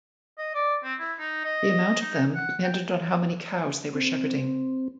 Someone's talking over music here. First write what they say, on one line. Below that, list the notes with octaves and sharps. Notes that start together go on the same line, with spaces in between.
The amount of them depended on how many cows they were shepherding.
D#5
D5
C4
E4
D#4
D#5
D#4
F#5
G5
C4